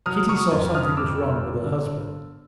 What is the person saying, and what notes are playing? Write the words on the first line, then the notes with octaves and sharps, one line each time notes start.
Kitty saw something was wrong with her husband.
F#3 D#6 F6
F#3 C#6 D#6
F2
D3 D#6 F6
F2 D6 E6
G1
G1
D3